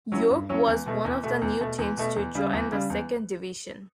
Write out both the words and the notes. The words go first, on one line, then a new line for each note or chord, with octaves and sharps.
York was one of the new teams to join the second division.
F#3 C#4 E4
G2
F#3 C#4 E4
E2
B2 A3
E2
B2 A3
E2
B2 A3
E2
B2 A3
E2
C#3 G3
E2
C#3 G3
E2